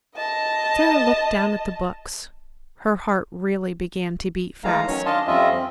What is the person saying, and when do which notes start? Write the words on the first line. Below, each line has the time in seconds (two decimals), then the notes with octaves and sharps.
Sara looked down at the books; her heart really began to beat fast.
0.16 D#5 A5
4.64 E3 G#3 A3 D#4 F5 A#5
4.88 D#3 F#3 C#4 C#5
5.06 D4 D#5 F5 A5 C6
5.27 F2 G3 C#4 F4 D#5 E5
5.50 C4